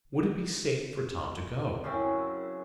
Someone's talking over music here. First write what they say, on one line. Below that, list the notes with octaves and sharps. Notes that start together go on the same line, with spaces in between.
Would it be safe for Tom to go?
F#2 C#3 C4 E4